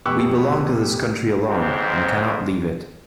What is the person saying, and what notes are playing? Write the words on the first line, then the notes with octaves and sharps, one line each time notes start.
We belong to this country alone, and cannot leave it.
F1 B2 G4 C#6 E6 F#6
A1 F2 G#2 C4